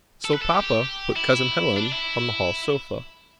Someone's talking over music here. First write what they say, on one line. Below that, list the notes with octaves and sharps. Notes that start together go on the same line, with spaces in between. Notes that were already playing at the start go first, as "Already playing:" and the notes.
So Papa put Cousin Helen on the hall sofa.
A4
B4
A4
G4
E4
D4
E4